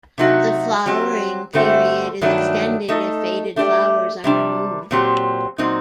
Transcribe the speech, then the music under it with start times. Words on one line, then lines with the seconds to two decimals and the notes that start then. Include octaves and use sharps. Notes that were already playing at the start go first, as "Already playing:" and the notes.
The flowering period is extended if faded flowers are removed.
0.18 C3 F#3 A3 D#4 F#4
0.86 F#3 C4 G4
1.53 G2 D3 A3 C4 F#4
2.21 G2 D#3 F#3 A3 D4
2.88 A3 D#4 A4 D#5
3.56 A3 D4 G4 D5
4.24 C3 G3 D4
4.91 A#2 F#3 C4 G4
5.58 A#2 F#3 C4 D#4